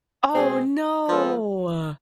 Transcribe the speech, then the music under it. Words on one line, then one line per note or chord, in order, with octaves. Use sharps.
Oh, no.
B2 G#3 C4 G#4
F3 G#3 B3 F4 A4